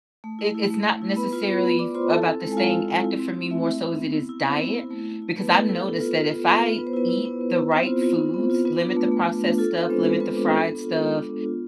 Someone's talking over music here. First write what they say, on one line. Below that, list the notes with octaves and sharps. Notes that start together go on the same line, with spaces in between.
It it's not, necessarily f about the staying active for me, more so as it is diet because I've noticed that if I eat the right foods, limit the processed stuff, limit the fried stuff,
A3
E4
E4
A3
A3
E4
B3 B4 B5
F4 B4 B5
F4
B3
B3 D5 D6
F4 C5 C6
E4 A4 A5
C4
G#3
G#5
G#3 F4 F5
E4
C4
E4
C4
A3
A3 E4 E5
E4
C4
B3
E4
E4
B3 C4 C5
B3
E4
A3
E4
E4
A3 B3 B4
A3 B3 B4
E4 A4
B4
B3 A4
F4
F4
B3
B3
F4
B3 B4
C5
B3 E4 B4
E4
B3
B3
E4
B3 C4 C5
F4
F4
B3
B3
F4
B3 F4 B4
D4
A3
A3
F4
D4
F4 A4
B3 D4 B4
G#3 C4 C5
G#3 B4
A4
B3 F4 B4
D4
D4 A4
B3
F4
G#3
D4
B3
F4